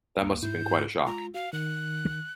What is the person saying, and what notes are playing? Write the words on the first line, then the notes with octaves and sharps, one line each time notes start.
That must have been quite a shock.
D2 A#3 A#5
G#2 E4 G6
G#3 F4 A#5
F#4 F5
D#3 F#6